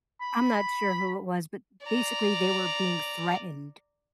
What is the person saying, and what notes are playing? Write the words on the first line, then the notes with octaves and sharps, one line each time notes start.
I'm not sure who it was, but basically they were being threatened.
B5
D5 A#5